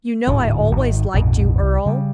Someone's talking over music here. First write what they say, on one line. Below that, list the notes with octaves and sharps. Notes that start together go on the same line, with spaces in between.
"You know I always liked you, Earle."
D1 G#2 D3
G#1 D3 D#3
A#1 F2 G#2 B2
C2
C#3 G3